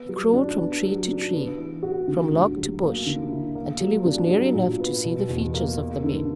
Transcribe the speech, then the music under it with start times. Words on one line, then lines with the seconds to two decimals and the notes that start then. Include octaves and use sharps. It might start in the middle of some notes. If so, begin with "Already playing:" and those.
He crawled from tree to tree, from log to bush, until he was near enough to see the features of the men.
Already playing: B3
0.09 F#3
0.33 D4
0.58 B3
0.83 F#3
1.08 D4
1.33 B3
1.58 E3
1.83 F#4
2.08 D3
2.32 D2
2.57 F#3
2.82 A#3
3.06 D3
3.31 E4
3.55 A#3
3.80 F#3
4.05 D4
4.30 F#3
4.55 A#2
4.80 B3
5.04 B2
5.29 E2
5.54 A#3
5.79 A#3
6.04 D3